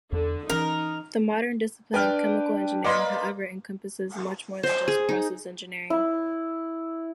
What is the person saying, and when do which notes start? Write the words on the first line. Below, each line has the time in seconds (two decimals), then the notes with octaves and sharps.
The modern discipline of chemical engineering, however, encompasses much more than just process engineering.
0.12 E2 D3
0.50 E3 C#4 D#4 A#4
1.94 D4 B4 D5 G5 F6
2.84 A#3 B4 D5 D#5 C6
4.63 C5
4.88 G#4
5.09 D#4
5.90 E4